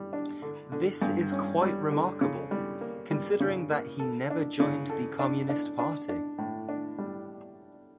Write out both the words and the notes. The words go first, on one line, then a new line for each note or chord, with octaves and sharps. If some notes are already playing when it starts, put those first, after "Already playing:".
This is quite remarkable, considering that he never joined the Communist Party.
Already playing: G3
D4
D3
D3
G2
C#4
G3
D3
C#3
G3
A#3
G3
C#3
A#3
A4
D4
C#3
A4
D4
D4
D4
D4
A2
D4
G3